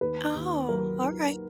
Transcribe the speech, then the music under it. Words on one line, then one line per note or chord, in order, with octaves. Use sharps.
Oh, alright.
D#2 B4
D#2
F#3 A#4
D#3